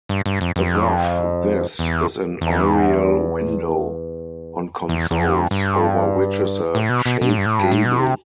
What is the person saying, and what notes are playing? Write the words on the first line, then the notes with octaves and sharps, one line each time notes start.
Above this is an oriel window on consoles over which is a shaped gable.
G2
G2
F2
F2
E2
E2
E2
E2
F2
G2
A2
B2
B2
B2
A2
G2
A2
G2
A2
B2
C3